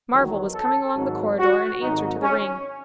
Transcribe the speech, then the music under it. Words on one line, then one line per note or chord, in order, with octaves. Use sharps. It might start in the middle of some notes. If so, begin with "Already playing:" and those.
Marvel was coming along the corridor in answer to the ring.
E2 D#3 F#3
A4
G#1 G#2 F#3
F#4
G#1 G#2 F#3 D#4
C#4